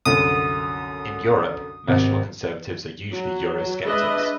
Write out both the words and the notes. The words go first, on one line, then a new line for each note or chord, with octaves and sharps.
In Europe, national conservatives are usually eurosceptics.
C2 F#2 D3 D#6
G#1 C3
F#3
G#3 D4 B4 D#5 E5